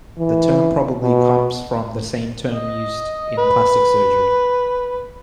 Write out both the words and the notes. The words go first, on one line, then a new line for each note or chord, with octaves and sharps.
The term probably comes from the same term used in plastic surgery.
E3
B2
D#5
B4